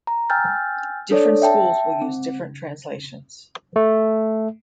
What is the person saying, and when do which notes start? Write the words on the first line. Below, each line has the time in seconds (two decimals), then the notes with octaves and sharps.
Different schools will use different translations.
0.07 A#5
0.30 G5 G#5 E6 F6 G6 A6
1.11 D4 A4 C#5 D5
1.42 E5 G5 A5
2.01 C4
3.76 A3